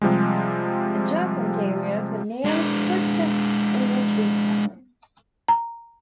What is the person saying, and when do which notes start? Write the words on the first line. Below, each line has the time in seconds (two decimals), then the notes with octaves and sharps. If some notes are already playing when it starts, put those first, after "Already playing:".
Adjacent areas were nearly stripped of all tree cover.
0.01 C3 F3 G3 G#3
2.45 G#3 D4
5.48 A#5